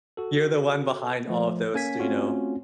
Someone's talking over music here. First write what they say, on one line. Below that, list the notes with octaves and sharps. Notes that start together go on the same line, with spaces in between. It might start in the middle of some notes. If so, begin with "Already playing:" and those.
You're the one behind all of those d you know,
F#4 A4
F3 A3
A#3 C#4 G#5 G#6 B6
A3 C4 C#4 F4 F#4